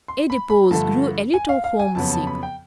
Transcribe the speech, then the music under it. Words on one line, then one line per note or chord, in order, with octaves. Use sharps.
Adipose grew a little home-sick.
C6
B5
B5
G2 D3 F3 A3 A5
G#5
F5
F5
G#5
F2 C#3 F#3 B3 A5
A5
B5
G5